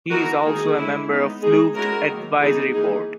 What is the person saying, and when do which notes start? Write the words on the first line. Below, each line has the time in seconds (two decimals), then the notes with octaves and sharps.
He is also a member of Flooved advisory board.
0.10 E3 B3 D#4 F#4 A#4
0.43 D#3 A#3 D#4 G#4
0.76 G#3 C#4 E4
1.09 G#3 B3 D#4
1.41 G#3 D#4 G#4
1.74 G#3 C#4 E4 F#4 A#4
2.07 D#3 F#3 A#3
2.40 E3 B3 D#4 G#4
2.72 E3 A#3 D#4 G#4